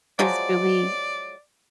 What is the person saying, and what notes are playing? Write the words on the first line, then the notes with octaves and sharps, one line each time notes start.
is really
F3 F#3 G#3 D5